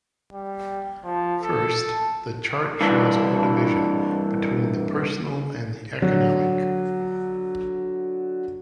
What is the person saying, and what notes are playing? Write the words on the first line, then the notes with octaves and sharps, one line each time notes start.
First, the chart shows no division between the personal and the economic.
G3
F3
A4
G2 E3 D4
D3 F#3